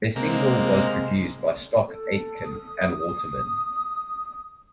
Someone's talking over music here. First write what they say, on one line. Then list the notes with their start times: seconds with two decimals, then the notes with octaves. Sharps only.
Their single was produced by Stock Aitken and Waterman.
0.16 C3 G#3 A#3
1.88 A4
2.45 D#6